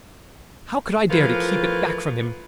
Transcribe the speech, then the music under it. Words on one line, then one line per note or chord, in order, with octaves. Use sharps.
How could I dare to keep it back from him?
E3 F3 A3 F4 A#4 B4